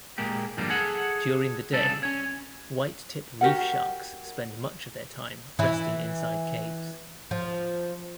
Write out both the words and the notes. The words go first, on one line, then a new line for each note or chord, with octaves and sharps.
During the day, whitetip reef sharks spend much of their time resting inside caves.
A#2 G#3 A#3 G4
F2 G#2 D3 G3 A#3
G#4 A4 F#5
C2 C#3 A4 D5
C#4 C#5
F#4 G4 A#4 F#5
E3 E4
F3